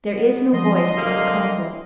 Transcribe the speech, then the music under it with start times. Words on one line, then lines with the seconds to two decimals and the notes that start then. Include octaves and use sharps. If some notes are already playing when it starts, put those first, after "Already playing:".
There is no voice of the council.
0.14 B3
0.53 D3 F3 D#5 C6
0.97 C3 F#3 A#3 F5